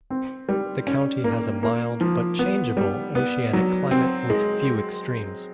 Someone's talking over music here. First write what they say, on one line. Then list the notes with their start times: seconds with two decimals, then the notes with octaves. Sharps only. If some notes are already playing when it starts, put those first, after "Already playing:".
The county has a mild, but changeable, oceanic climate with few extremes.
0.10 C4
0.49 G3
0.87 C#4
1.24 A#3
1.63 A#3
2.01 F3
2.39 B3
2.77 G3
3.15 B3
3.53 F#3
3.91 C4
4.30 G#3